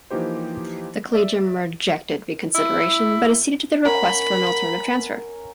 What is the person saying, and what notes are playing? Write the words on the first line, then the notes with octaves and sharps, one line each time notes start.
The collegium rejected reconsideration but acceded to the request for an alternative transfer.
E3 F3 A#3 D#4 G4 C5
D5 E5 E6
E4
C#4 A#4 F#5 B5